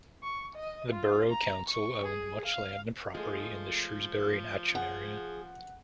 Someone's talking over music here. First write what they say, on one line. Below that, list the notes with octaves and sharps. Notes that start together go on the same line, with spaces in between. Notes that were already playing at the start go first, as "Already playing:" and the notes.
The borough council owned much land and property in the Shrewsbury and Atcham area.
C#6
D#5
F4
A#5
C#6
G#4
F5
F3 G#3 A3
G#4 F#5